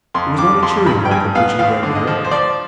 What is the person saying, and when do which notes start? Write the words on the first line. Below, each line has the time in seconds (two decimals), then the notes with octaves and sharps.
It was not a cheering record which he read there.
0.14 F2 C6
0.38 F2 D6
0.63 F2 C6
0.86 G2 B5
1.05 G5
1.11 G2 G#5
1.35 B3 F5
1.59 D#2 F5
1.83 D3
1.95 D#5
2.07 F3
2.25 C5
2.31 F3 D5